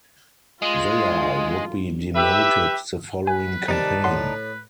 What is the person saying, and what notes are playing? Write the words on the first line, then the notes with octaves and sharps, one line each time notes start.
Villa would be demoted the following campaign.
G#3 F4
G4 B4 E5
B4 G#5
C3 D#3 G3 D#4 D5 A5
A2 F#5 C6